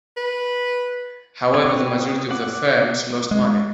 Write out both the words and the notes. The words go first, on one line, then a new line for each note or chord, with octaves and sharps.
However, the majority of their films lost money.
B4
C4 B4 C#5
F#5 D6
G#3